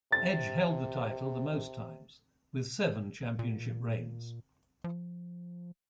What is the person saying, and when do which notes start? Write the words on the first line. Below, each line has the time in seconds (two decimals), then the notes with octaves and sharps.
Edge held the title the most times with seven championship reigns.
0.12 C3 A6
3.39 A#2
4.84 F3